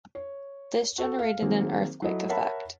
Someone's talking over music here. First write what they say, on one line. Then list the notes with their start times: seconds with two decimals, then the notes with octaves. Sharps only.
This generated an "earthquake effect".
0.15 C#5
0.98 F#4 A4
1.19 F5
1.42 D#3 F#3 G#3 A#3 C4
2.02 F#3 E4 A4 D#5
2.29 A#4 C#5 E5 F#5 A5 B5